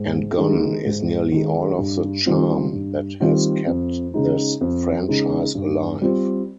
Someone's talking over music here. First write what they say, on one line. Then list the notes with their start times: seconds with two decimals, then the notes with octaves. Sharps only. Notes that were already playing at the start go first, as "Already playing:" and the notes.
And gone is nearly all of the charm that has kept this franchise alive.
Already playing: G#2
0.37 D#3 G#3 D#4
0.85 G#2
1.32 D#3 G#3 D#4
1.78 G2
2.26 D#3 G3 C4 F4
2.72 G2
3.20 D#3 G3 C4 F4
3.67 F2
4.14 C#3 G#3 D#4
4.61 F2
5.08 C#3 G#3 D#4
5.55 G2
6.01 G3 C4 F4